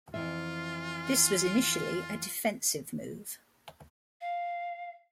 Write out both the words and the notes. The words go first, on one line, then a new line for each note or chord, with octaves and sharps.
This was initially a defensive move.
F2 E3 F4 E5
F5